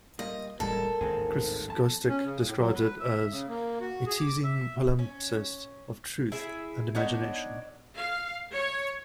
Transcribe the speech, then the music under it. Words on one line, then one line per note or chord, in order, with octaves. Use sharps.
Chris Gostick describes it as "a teasing palimpsest of truth and imagination".
G3 A#3 F4 D#5
D#1 A1 G3 G#3 A4 A#4
A1 D#2 G#2 G#3 C4 G#4
F2 A5
C#4
C#3
A2
F#3
B4
E5
C#3
A#3
F#4
G#4
D6
E5
C#4
E4 G#4 E5
B3 D4 D#4 C#5
F5
C#5